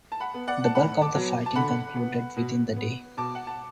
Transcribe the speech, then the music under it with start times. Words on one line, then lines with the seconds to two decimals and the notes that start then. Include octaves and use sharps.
The bulk of the fighting concluded within the day.
0.12 A5
0.20 F#5 B5
0.34 B3
0.48 D5 F#5
0.64 A5
0.75 A2 F#5 B5
1.01 A5 D6
1.15 F#3 B3
1.46 A5
1.55 D3 F#5 B5
1.96 B3
2.37 B2
2.76 B3
3.17 B2 A5 D6
3.35 F#5
3.47 A5